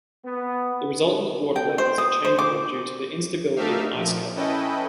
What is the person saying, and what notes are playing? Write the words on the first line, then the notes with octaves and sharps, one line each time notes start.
The resultant water levels are changeable due to the instability of ice cover.
B3
G5
C5
D#6
C5
D6
A3 D4 D#4 G4 E5 F5
A#2 F3
C#4 E4 A4 B4 D#5 G5